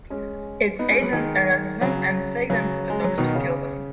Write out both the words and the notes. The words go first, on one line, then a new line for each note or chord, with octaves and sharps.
Its agents arrest them and take them to the docks to kill them.
G#3 C#4
B3 D#4
G#3 C#4
F#3 B3
D#3 G#3
C#3 F#3
C#3 F#3
G#3
F#3
B2 D#3
C#3